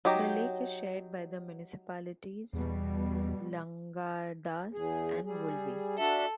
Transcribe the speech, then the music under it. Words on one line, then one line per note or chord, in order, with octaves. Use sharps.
The lake is shared by the municipalities Langadas and Volvi.
F#3 D#4 G4
E2 B2 G3
E2 G#4
G3 G#4
D4 F#4 A4 E5